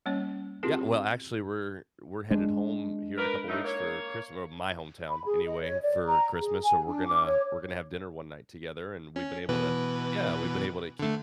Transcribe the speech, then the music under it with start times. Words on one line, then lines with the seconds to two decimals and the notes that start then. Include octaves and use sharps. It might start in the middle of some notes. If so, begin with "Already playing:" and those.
Yeah. Well, actually, we're we're headed home here in a couple weeks for Christm or my hometown anyway for Christmas. So, we're gonna we're gonna have dinner one night together, and we've been able to Yeah. We've been able to keep
0.06 G3 A#3 C#4 C#5
0.63 C4 E4 F4 G4 G#4 A#4
2.30 G#3 D4
3.18 A#4 B4
3.48 A2 A3 D#4
3.65 A#3 C#5
5.09 B5
5.25 G#4
5.47 D#5
5.62 C#5
5.82 D5
6.05 A#5
6.40 G#4
6.63 G#5
6.87 D4
7.07 D6
7.24 C#5
9.16 C#4
9.49 B2 E3 B4
10.99 D3 A3